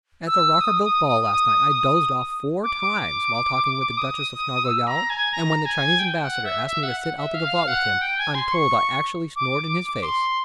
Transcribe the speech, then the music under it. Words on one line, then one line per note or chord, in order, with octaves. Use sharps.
At the Rockerbilt ball last night I dozed off four times while talking with the Duchess of Snarleyow, and when the Chinese Ambassador asked me to sit out the gavotte with him I'm told I actually snored in his face.
E6
D#6
D#6
D#6
D6
D#6
E6
A#5
G#5
A#5
G#5
G5
F#5
E5
E5
F#5
F#5
E5
F5
F#5
G5
G#5
C6
C#6
D6
C6